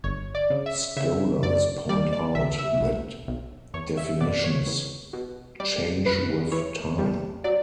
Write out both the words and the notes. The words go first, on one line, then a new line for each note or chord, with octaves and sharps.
Scholars point out that definitions change with time.
G1 C#5
D5
C#3
E5
C#3 E5
F#2 D5
G3 D5
D5
B1 E5
E5
B1
B1
E2 C#5
E5
B2 D5
C#5
E2
B2
G3 D5
F#2 B4
E3 C#5
G3
F#3 D5